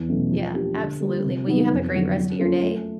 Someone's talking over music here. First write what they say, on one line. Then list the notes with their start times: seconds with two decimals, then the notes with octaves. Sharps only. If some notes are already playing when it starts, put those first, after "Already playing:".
Yeah, absolutely, well, you have a great rest of your day.
Already playing: E2
0.09 B2 F#3 A3 C#4
0.31 F3
0.54 A#3 D4 G4
0.78 D3
1.00 G3 A#3
1.23 C3
1.47 D#3 F#3 B3
1.70 F2
1.93 D3 F#3
2.16 F#3
2.39 A#3 C#4 F4 A4
2.63 A3